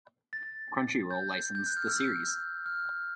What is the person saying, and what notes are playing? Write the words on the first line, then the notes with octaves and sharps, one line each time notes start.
Crunchyroll licensed the series.
A6
G6
G6
F#6
F6
E6
F6